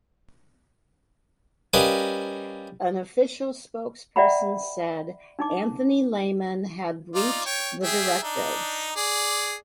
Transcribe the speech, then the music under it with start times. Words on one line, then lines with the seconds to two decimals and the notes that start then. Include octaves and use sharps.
An official spokesperson said Anthony Lehmann had breached the directives.
1.73 G3 C#4 A#4 B4 D#5 F5
4.16 D5 E5 F#5 G5 A#5 B5
5.39 D4 D#4 D6
7.15 D#4 F4 D5
7.46 C#5 G5
7.84 G4 G#4 E5
8.23 D4 D#4
8.96 G#4 D5